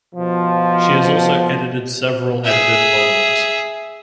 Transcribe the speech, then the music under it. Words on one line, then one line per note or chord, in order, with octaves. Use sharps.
She has also edited several edited volumes.
B2 F3
G#4 E5